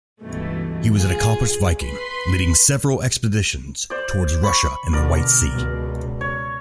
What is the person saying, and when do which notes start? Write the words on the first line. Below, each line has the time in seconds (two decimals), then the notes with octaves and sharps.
He was an accomplished viking, leading several expeditions towards Russia and the White Sea.
0.20 C#2 G2 B2 E3 A3
0.94 F4 G#4
1.80 B4 B5 C6
3.90 C5 D5
4.43 B5 C#6
4.93 B2 D3 A#4 D5
5.52 C#2 B2
6.21 C#5